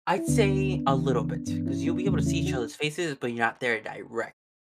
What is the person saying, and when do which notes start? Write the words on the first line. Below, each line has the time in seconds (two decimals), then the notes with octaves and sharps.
I'd say a little bit, 'cause you'll be able to see each other's faces, but you're not there direct.
0.18 E4
0.28 D2 D3 B3 D4
0.88 C#2 C#3 E3
1.47 G2 E3 B3 D4
1.66 C#4 E4
1.86 B3 D4
2.06 E2 C#3 E3 A3 C#4
2.26 C#4 E4
2.46 D4 F#4